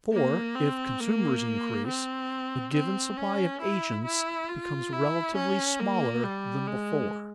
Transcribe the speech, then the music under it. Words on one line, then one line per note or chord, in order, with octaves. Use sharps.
For, if consumers increase, a given supply of agents becomes relatively smaller than before.
A#3
C4
A#3
C4
C4
C#4
E4
E4
F4
E4
C#4
A#3
G3
G#3